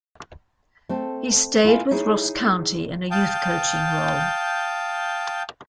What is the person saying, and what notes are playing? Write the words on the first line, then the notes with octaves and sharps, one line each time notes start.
He stayed with Ross County in a youth coaching role.
A3 C4 A4
E4 F4 F5 G#5
D#4 E4 G#4 C#5
F5 G5 A5 D#6 G6